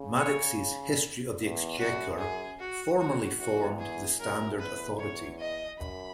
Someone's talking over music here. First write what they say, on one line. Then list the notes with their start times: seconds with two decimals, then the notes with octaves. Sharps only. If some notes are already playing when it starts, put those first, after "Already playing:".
Madox's "History of the Exchequer" formerly formed the standard authority.
Already playing: C#3
0.19 C#5
1.39 E2
1.79 F#2 F#4
2.19 G#4
2.59 F#4
2.99 F#4
3.39 E2 F#4
3.79 G#4
4.19 F#2 A#4
4.59 E2 B4
4.99 C#5
5.39 D#5
5.79 F#2 B5